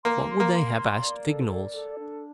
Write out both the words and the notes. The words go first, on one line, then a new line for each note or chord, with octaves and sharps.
What would they have, asked Vignolles.
A#3 C6
C6
A#3
C6
C6
D5
A4
D5
A4
D4